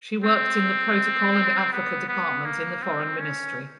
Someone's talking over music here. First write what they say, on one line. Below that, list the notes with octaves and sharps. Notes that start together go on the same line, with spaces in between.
She worked in the Protocol and Africa Department in the foreign ministry.
C4
B3
B3
A#3
C4
C#4